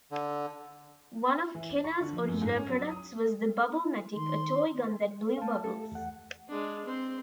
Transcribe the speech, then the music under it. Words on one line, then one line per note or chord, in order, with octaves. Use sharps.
One of Kenner's original products was the "Bubble-Matic," a toy gun that blew bubbles.
D3
E3
F#7
C#6
D3
F3
F#2
G#2
C#4
F#3
D#6
D#3 C6
C#5
A3 F5 A5
G4 A4
E2 F#5
G#3 D4
C4 C5